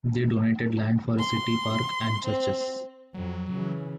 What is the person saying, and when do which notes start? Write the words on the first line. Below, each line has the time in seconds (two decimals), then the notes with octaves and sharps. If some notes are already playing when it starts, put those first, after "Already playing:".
They donated land for a city park and churches.
1.19 C6
2.25 C4
3.14 F2 F#3
3.52 C#3 E3